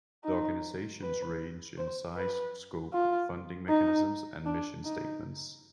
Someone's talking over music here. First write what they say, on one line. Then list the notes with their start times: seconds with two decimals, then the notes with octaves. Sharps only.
The organizations range in size, scope, funding mechanisms, and mission statements.
0.24 D#4
1.02 B4
1.77 C5
2.16 B4
2.93 F4
3.69 D#4
4.46 D4
4.85 D#4